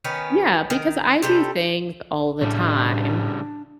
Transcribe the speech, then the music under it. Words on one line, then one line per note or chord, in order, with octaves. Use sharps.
Yeah, because I do things all the time
D#3 B3 C#4
D#3
C3 G3 A4
A2 C#3 G3 A3 D4